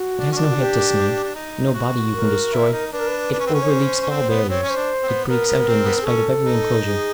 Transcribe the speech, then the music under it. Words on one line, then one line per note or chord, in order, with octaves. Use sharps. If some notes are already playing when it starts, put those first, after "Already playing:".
It has no head to smite, no body you can destroy; it overleaps all barriers; it breaks out in despite of every enclosure.
Already playing: F#4
D4
C#4
D4
F#4
G4
D4
D#4
F#4
A#4
E4
D#4
D4 B4
A#4
B4
D4
C#4
C4
C#4
C#5
C5
C#4
C4
B3
C4 C#5
C#4
C5
D4
C4
B3
B3 A#4
B3
C4
B3
C4
G#4
C#4 A4
D#4
G#4